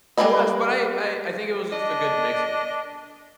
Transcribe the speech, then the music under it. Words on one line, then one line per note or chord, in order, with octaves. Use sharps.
It was, but I I I think it was just a good mix of things.
G3 G#3 A#3 B4 D#5
D4 D#5